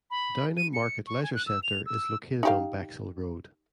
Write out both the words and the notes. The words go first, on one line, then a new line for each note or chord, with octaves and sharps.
Downham Market Leisure Centre is located on Bexwell Road.
B5
D#7
C#7
C#6
G#5
F#6
E6
F7
E6
D#4 G4 F5